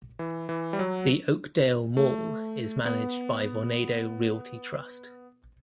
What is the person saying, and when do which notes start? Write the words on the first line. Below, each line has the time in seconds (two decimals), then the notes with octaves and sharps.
The Oakdale Mall is managed by Vornado Realty Trust.
0.19 E3
0.49 E3
0.73 G3
0.79 F#3
1.97 A3
2.85 B3